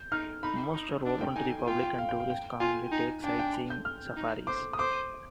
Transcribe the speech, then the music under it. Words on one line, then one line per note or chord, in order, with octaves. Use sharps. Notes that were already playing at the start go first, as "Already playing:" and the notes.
Most are open to the public, and tourists commonly take sightseeing safaris.
Already playing: G6
D#4 F6
D#4 B5
D#4
D4
G5
D#4 G#5
F4 G5
G5
F5
G5
F5
G5
F4 G#5
D#4
D4 G5
G5
G6
F6
D#4
C5 D6
D#6
C5 D6